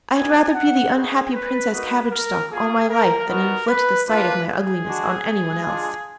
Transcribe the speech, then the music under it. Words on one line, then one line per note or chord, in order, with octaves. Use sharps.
I had rather be the unhappy Princess Cabbage-Stalk all my life than inflict the sight of my ugliness on anyone else.'
A#3 D#4 F#4 G#5
F#5
B3 D#4 F#4 G#4
B4
A#3 D#4 F#4 B4
A#4
A#3 F4 G#4
A#4
B3 D#4 F#4 A#4
B4
A#3 D4 F4 B4
G#4
G#3 D4 F#4
G#3 D4 F4